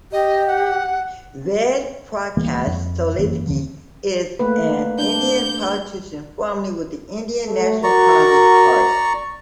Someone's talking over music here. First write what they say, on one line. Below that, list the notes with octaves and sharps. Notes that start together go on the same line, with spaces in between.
Ved Prakash Solanki is an Indian politician formerly with the Indian National Congress party.
G4 D#5
F#5
D1 E3 G#3 A#3
F2
G#1 F#2 E3 A#3
D#2 D3 F3
A3 A#3 B4
D4 G6
A3
F#4 A#4 D5 A#5 C#6